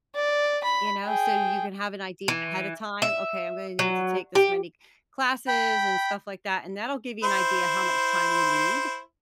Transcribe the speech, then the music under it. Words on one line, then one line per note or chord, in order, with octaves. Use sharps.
you know, so you can have an idea ahead of time, "Okay, I'm gonna need to take this many classes," and stuff like that, and that'll give you an idea how much time you need,
D5
B5
G#4 G5
E3
E5
F#3
G4
G5 B5
E4 C5